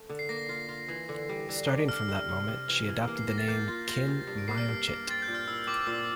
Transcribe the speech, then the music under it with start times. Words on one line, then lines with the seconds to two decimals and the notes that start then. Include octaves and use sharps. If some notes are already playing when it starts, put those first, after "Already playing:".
Starting from that moment, she adopted the name, Khin Myo Chit.
Already playing: A3
0.10 D3
0.19 C7
0.29 A#3 A#6
0.49 F4
0.69 F4
0.89 E3
1.09 D3
1.29 G3
1.49 D3
1.68 D4
1.88 D4 F6
2.08 G3
2.29 C3
2.48 C3
2.68 E3
2.89 E3
3.08 A#3
3.18 C7
3.28 A#3 A#6
3.38 A6
3.48 A#3 G6
3.68 F4 A6
3.88 F4 A#6
4.08 C3
4.27 G2 C7
4.38 D7
4.48 A#3 C7
4.58 F6
4.68 G2
4.87 A#3
5.07 C4 A6
5.22 G6
5.28 A#2
5.35 F6
5.47 E4 E6
5.67 C4 D6
5.87 A#2 E6